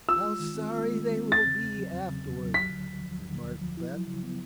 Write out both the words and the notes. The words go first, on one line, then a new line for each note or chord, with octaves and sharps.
"How sorry they will be, afterward," remarked Beth.
F4 E6
G#3
D#3
C4
F4
G#3
D#3
C4
E2 A6
C#3
E2
F#3
E2
C#3
E2
F#3
D2 B6
D3
D2
F3
D2
D3
D2
F3
E4
F#3
C#3
B3